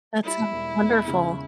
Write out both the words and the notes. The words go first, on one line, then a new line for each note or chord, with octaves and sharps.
That's sounds wonderful.
G3 E4
E1
E2
C#3